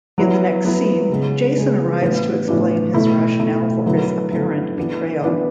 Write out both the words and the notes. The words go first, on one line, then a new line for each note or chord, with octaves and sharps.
In the next scene Jason arrives to explain his rationale for his apparent betrayal.
F#3 B3 E4
F#3 B3 E4
C#3 G#3 B3
C#3 G#3 B3
A2 E3 B3 D4
A2 E3 B3 D4
B2 A3 E4
B2 A3 E4
D3 F#3 B3 E4 A4
D3 F#3 B3 E4 A4
E3 B3 D4
E3 B3 D4